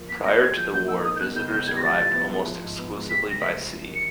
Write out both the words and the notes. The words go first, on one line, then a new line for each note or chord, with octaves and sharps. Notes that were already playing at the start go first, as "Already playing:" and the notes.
Prior to the war, visitors arrived almost exclusively by sea.
Already playing: F3 A#3
A#2 B6
C4 A#6
G#3 G#6
F3 G6
A#2 G6
D#4 E6
A#3 D#6
G6
B2 F#6
C#2 G6
C#2 G6
G6
G3 G#6
A#6
F3 A6
A2
B3
G#3
F3
G#2
B3
G#3
C3 B6
C#2 A#6
A3 B6
F3
G3
D#3
C#7